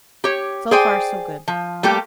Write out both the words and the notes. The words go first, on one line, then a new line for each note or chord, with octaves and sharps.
So far, so good.
G4 C#5
G#4 C5 D5 G5 G#5
F3
G3 A3 A#3 G4